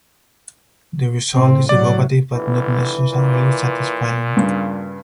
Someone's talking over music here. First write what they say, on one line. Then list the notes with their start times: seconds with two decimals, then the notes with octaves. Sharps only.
The result is evocative but not necessarily satisfying.
1.33 A2 C4
1.69 A2 F#3 D5
2.35 G1 E3
3.10 A#2
4.37 G2 C#3